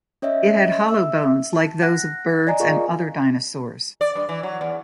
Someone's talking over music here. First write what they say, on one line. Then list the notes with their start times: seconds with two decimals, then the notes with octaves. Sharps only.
It had hollow bones like those of birds and other dinosaurs.
0.22 C#4 C#5 D#5 E5
0.86 E5 E6
1.53 A5
1.82 F#5 F#6 A#6
2.47 D5 D#5 G#5 A#5
2.60 F4 G#4 A#4 D5 F5 C#6
4.01 D5
4.16 G2
4.29 E3
4.43 F#3
4.61 E2